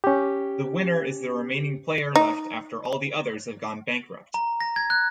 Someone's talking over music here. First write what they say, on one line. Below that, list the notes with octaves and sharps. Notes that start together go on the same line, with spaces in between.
The winner is the remaining player left after all the others have gone bankrupt.
C#4 G4
D#4
A#5
A#6
G#6
F#6